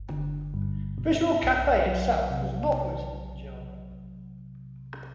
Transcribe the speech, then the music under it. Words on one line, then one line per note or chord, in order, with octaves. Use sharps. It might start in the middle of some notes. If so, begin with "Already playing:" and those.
Visual Cafe itself was not written in Java.
Already playing: G1 G2
D3
G2
B2
B1
F#3
C3